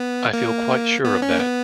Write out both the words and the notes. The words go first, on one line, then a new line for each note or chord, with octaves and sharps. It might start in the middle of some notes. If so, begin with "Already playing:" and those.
I feel quite sure of that.
Already playing: B3
A#3
B3
C#4
A#3
B3